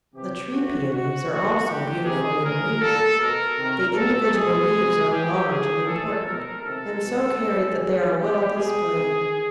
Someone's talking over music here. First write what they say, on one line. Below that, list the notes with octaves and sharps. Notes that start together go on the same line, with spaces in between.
The Tree Paeonies are also beautiful in leaf; the individual leaves are large and important, and so carried that they are well displayed.
C3 E3 G4
A2 E3 F#4
B2 F#4
A2 E3 F#4
A#2 G4
C3 D#3 G#4
A2 E3 A#4
A#2 A4
B2 A#4
C3 D#3
A#2 A4
B2 G#4
C3 E3
A2 E3 G4
A#2 G#4
A2 E3 A4
B2 A#4
C3 D#3 A4
B2
A2 E3
A#2 G#4
B2 G4
B2 G#4
C3 D#3